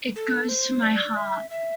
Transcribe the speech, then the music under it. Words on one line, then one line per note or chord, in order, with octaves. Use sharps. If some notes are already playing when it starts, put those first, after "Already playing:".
It goes to my heart.
A4
C5
D5
E5
E5